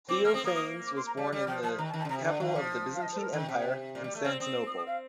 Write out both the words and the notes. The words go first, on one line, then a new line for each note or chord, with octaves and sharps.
Theophanes was born in the capital of the Byzantine Empire, Constantinople.
C4 D6
A#3 F6
C4 D#6
A#3 D#6
D#6
D6
C6
A#5
G3 A5
G3
F3 G5
F3 A5
D#3 A#5
A5
D#3
A5
D3
C3 A#5
D3 G5
D#3 F5
F3
F5
D#5
C5
A4
A#4
D#3 A4
C3 G5
A#2
G3
A3
C4 F6
C4 D#6
D#6
D#6
F5